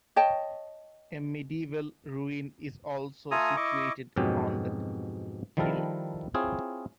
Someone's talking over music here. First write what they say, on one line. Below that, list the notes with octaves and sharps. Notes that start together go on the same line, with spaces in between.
A medieval ruin is also situated on that hill.
C#5 D#5 G5 A5
A3 F4 A4 G#5 A#5 D#6
E4 D#5 C#6 D6
F2 G#2 B2 F#3 C#4 G4
D#3 F3 G3 E4 A4 A#4
C4 E4 F4 G#4 C#5